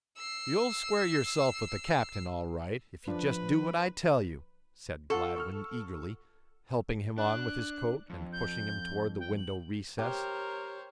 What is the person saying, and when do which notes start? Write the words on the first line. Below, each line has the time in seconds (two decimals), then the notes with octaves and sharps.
"You'll square yourself with the captain all right if you just do what I tell you," said Gladwin eagerly, helping him on with his coat and pushing him toward the window recess.
0.17 E6 C7
3.08 F3 D4 B4
5.10 F4 A4 F#5 C#6
5.36 C#6 E6 F6
7.18 D4 F#6
8.10 F2
8.33 G6
9.20 G5
9.36 F#7
9.99 G4 A#4 C5 C#5